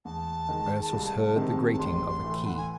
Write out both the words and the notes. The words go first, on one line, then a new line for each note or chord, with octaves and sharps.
Ursus heard the grating of a key.
E2 A5
D#3 G#3
C2
C3 D#3 G#3 C4
A5
A1 C6
A2 E3 A3
F#5
G#5